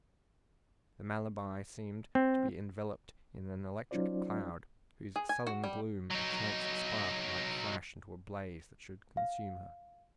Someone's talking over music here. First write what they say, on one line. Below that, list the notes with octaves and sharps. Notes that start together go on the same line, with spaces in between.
The Malabar seemed to be enveloped in an electric cloud, whose sullen gloom a chance spark might flash into a blaze that should consume her.
C4
F#3 C#4 D#4 F4 C5 D5
G#4
G#5
F#4
G3
F#3 D#4
F5